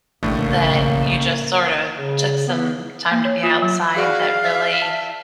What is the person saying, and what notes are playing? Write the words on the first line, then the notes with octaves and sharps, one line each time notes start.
that you just sort of took some time to be outside that really
A1 A2 C#3 A3 A#3 D4
C#3
B3
A#3
C#5
F4
F#3
F#4 G#4 D5 F5
E5
A5